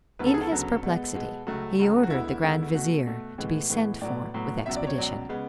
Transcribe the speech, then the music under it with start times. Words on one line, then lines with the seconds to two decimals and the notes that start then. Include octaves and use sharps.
In his perplexity he ordered the grand vizier to be sent for with expedition.
0.19 D2 C#3 F#3 B3 B4
0.27 A4
0.34 G#4
0.41 A4
0.51 D2 C#3 F#3 B3
0.83 B2 G#3 B3
1.15 B2 G#3 B3
1.47 C#2 C#3 F#3 A3 F#4
1.79 C#2 C#3 F#3 A3
2.03 F#4
2.10 D2 D3 G#3 B3 E4
2.43 D2 D3 G#3 B3
2.74 B2 A3 F#4
3.06 B2 A3
3.38 A2 E3 G#3 B3
3.70 A2 E3 G#3 B3
4.02 A2 F#3 B3 D5
4.34 A2 F#3 B3
4.66 C#2 B2 F#3 E5
4.76 D5
4.87 C#5
4.98 C#2 B2 F#3 D5
5.29 C#3 G#3 B3